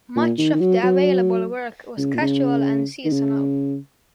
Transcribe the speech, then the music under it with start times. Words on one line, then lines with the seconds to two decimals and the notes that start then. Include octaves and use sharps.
Much of the available work was casual and seasonal.
0.16 A#2
0.38 D#3
0.54 D#3
0.60 F#3
0.83 F#3
1.98 C#3
2.14 A#2
2.21 C#3
3.05 D#3
3.12 C#3